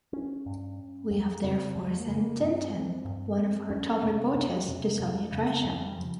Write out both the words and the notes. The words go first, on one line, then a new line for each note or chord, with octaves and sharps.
We have therefore sent "Tintin", one of our top reporters, to Soviet Russia.
C#4
G2
F2
C#3 C4
F2 F3
G#3
A#3
C#3
A#3
G2 C4
G2
F2 C#4
C3
F2
C3
F2
C#3
F2 C4
G3
C#3 F3